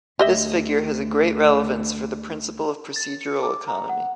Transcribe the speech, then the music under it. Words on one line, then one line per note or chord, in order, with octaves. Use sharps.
This figure has a great relevance for the principle of procedural economy.
D2 G4 D#5 E5
A6
C#7
D6
A#5
F#5